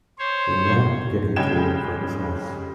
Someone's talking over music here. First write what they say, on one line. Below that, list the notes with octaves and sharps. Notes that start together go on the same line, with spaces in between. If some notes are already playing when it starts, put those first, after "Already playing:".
A man getting thrown from his horse.
C5 C#5
C#3 G3 G#3 G5 G#6 E7